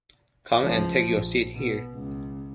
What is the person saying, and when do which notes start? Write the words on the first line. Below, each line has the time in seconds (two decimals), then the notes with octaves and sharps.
Come and take your seat here.
0.58 C#2 F3
1.02 A#1
1.53 B2
1.94 C#2